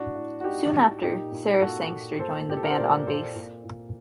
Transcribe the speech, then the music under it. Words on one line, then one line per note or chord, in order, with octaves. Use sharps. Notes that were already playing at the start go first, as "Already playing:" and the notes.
Soon after, Sarah Sangster joined the band on bass.
Already playing: A2 D4 F#4
A2
F#4
A2 D#4 G4
A2
A#2 D#4 G4
A#2
A#2 F#4 A4
A#2
A#2 A4 C5
A#2 G4
A4
A#4
C5
A#2 A#4 D5
A#2 A4 C5
A#2
A#2